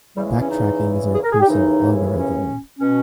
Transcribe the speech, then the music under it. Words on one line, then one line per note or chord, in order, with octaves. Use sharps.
Backtracking is a recursive algorithm.
E2 C#3 E3 G3
G#3
A#3
C#4
D#4
G#4
A#4
G#4
G4
D#2 C#3 E3 D#4
C#4
B2 C#4